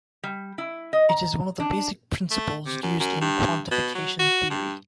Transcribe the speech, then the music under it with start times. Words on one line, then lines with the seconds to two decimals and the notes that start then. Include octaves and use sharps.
It is one of the basic principles used in quantification theory.
0.23 G3
0.58 E4
0.93 D#5
1.09 A#5
1.60 D4
2.31 A3
2.66 C3
2.83 F#2
3.00 F#2
3.21 G2
3.71 B2
3.95 F#3
4.19 F#4
4.50 G2